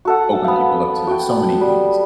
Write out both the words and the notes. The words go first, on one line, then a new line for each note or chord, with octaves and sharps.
open people up to so many things.
F#4 A4 F#5
B3 F5
F#4 G5
G3